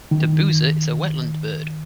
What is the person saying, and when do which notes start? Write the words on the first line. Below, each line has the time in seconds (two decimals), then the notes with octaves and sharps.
The boozer is a wetland bird.
0.11 D#3